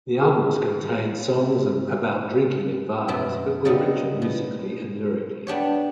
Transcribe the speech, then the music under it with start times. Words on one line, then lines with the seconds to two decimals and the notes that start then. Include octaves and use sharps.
The albums contained songs about drinking and violence, but were richer musically and lyrically.
0.21 G#4 A5
3.08 F#2 B2 E5
3.65 C#3 G3 A#3 B3 D#4
4.22 B2
5.47 B3 D4 G4 C#5